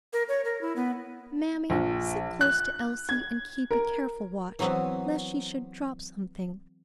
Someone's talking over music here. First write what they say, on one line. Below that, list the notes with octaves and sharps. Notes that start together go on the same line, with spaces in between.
"Mammy, sit close to Elsie and keep a careful watch, lest she should drop something."
A#4
C#5
A#4
E4
B3
A#1
F#6
G#6
A#4
E3 F#3 B3 C4 B4